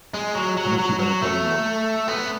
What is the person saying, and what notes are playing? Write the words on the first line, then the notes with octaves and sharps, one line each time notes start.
Not even a tiny one.
G#3
F#3
F#3
F#3
F#3
A3
B3